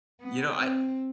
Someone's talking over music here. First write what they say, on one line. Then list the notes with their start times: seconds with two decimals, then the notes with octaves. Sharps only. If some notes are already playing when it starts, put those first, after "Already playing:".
You know, I, uh
0.21 B3
0.59 C4